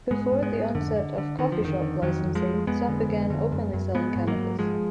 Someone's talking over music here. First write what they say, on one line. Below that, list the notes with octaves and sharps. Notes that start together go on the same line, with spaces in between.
Before the onset of "coffeeshop" licensing, some began openly selling cannabis.
G#2 G#3 B3
G#2
G#3 B3
G#2
F2 D3
D3
D3
D3 D#3
F3
F2 D#3
D3
F2 D#3 F#3
F2
F3 G#3
F2
F2 G#3 B3
D3
F2
D3
F#2
F#2
G#2 G#3 B3
G#2
F#3 A#3
G#2
G#2 F3 G#3